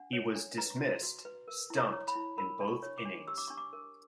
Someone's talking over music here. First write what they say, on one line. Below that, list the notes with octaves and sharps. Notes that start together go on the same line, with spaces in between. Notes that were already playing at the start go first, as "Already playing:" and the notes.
He was dismissed stumped in both innings.
Already playing: D4 F#5
C#5
D4
B4 A#5
F#4
F#4
B4
A#4
E4
A#5
C#5
B5
E4
A#4 B5
D4
C#6
C#5
D6
D4
G4 E6
D6
D4 C#6
D6
A#4